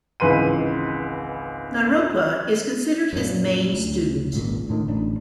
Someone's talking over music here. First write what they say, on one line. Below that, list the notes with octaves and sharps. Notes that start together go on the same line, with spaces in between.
Naropa is considered his main student.
G#1 C#2 E3 B4 C6 D#7
F#2 A#2
D2
G#1 C#2 A#2
A2 D3 D#3
A1 D4